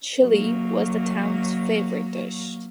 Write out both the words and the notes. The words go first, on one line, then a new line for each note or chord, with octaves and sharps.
Chili was the town's favorite dish.
F#3 A#3